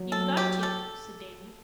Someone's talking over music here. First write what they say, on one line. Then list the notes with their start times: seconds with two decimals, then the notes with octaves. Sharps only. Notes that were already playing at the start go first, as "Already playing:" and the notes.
"You've got to," said Davy.
Already playing: F#3
0.12 A4
0.37 G4
0.63 A4